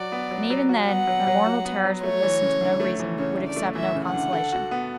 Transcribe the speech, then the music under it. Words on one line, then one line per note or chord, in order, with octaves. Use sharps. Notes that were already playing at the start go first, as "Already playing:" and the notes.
And, even then, my mortal terrors would listen to no reason--would accept no consolation.
Already playing: F#3 F#4 D5
B3
F#3
F#3
F#4
B3 F#5
F#3
F#3
F#4
B3
F#3
A3 C#5
E3
C#3
D2
A3
E3
C#3 C#5
D2
D5
A3
E3 E5
C#3
F#5
D2
A4
F#4
B3